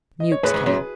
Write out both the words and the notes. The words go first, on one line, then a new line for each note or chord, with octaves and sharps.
Mewks came.
D#5
C#5
A2 G#4 B4
G#2
F#2